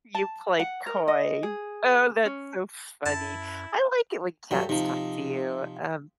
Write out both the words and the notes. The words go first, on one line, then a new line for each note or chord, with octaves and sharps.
You played coy. Oh, that's so funny. I like it when cats talk to you, um
A5
F#5
A#4
D#5
G#4
C#4
F#2 E4 A5
G2 F#3 G4 A4
C3 F3 D#4